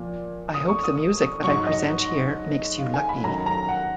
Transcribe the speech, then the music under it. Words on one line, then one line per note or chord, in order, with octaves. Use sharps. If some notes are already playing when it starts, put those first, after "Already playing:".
I hope the music that I present here makes you lucky.
Already playing: A#2 F3
D#6
C#6
D#6
D#6
G#2 F#3 C#6
D#5
F5
G#5
B5
F#2 D#3 F#3 A#5
A#5
F#5